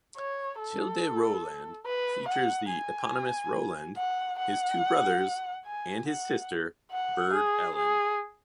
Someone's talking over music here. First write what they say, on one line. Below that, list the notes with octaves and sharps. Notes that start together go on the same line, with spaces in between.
"Childe Rowland" features the eponymous Rowland, his two brothers, and his sister Burd Ellen.
C#5
A4
B4
F#5
G#5
F#5
F#5
G#5
F#5
F#5
G#4
G#4